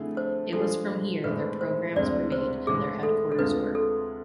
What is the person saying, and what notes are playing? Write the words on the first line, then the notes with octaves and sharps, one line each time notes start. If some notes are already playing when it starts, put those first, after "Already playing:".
It was from here their programmes were made and their headquarters were.
Already playing: F2 D3 A3 E4 G#4
C5
F3 G#3 D4 G#4 A4
A2 E3 G#3 C4 B4
C5
D2 C3 G#3 D5
C5
A2 E3 G#3 G#4
A4
A4
D2 C3 G#3 D4 F4 B4
A4